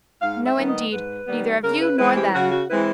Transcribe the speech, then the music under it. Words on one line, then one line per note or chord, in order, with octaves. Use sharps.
No, indeed, neither of you nor them.
G#2 F5
E5
D#3 G3 B3
D#5
G#2 B4
D#3 G3 B3
C#3 A#4
B4
E3 G#3 C4 E4 B4
G4
C#3 F#4
F#4
E3 G#3 C4 E4 B4